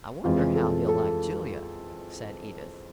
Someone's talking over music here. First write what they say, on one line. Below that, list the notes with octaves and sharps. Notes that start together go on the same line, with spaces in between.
"I wonder how he'll like Julia," said Edith.
F2 E3 G#3 F4
A4
A4